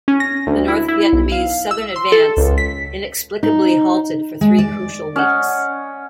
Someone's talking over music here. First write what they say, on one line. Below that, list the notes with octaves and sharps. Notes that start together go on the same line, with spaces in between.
The North Vietnamese southern advance inexplicably halted for three crucial weeks.
C#4
A#6
D2
E4
E4
B1
F5
E6
C6
A4
C#2
B6
D#4
G#3
D5
C#4 D#5 F#5